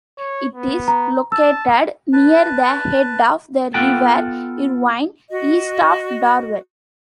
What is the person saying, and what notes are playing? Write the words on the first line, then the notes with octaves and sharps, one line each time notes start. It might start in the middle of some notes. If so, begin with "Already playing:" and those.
It is located near the head of the River Irvine, east of Darvel.
C#5
B3
A#5
A5 E6
B4 A5
B3 F4 A4 F#5 G5 A5
F#4 D#5